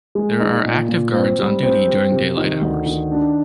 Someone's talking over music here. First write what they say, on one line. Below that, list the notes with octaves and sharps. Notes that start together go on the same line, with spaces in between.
There are active guards on duty during daylight hours.
G#3
D#4
A#2
A#2
C4
G3
C4
G4
C3
D#3
D2
D#3
D4